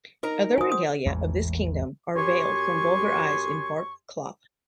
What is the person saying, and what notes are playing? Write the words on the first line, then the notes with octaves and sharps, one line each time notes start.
Other regalia of this kingdom are veiled from vulgar eyes in bark-cloth.
D#4 A#4 A#5
F#4 C5 G#5 D#6
D#6
A1 E2 G#2 G#3
F#2 G4 C#5 G#5 C6 C#6